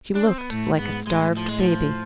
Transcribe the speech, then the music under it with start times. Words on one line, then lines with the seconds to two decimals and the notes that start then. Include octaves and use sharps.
She looked like a starved baby.
0.15 D4
0.27 C4
0.38 B3
0.50 A2 A3
0.79 G#2 B3
1.07 A2 G#3
1.37 F3
1.48 G#3
1.60 F3